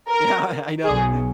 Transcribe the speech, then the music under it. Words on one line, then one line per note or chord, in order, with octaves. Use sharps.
Yeah, I I know.
A#4
B1 B2 F#3 G#4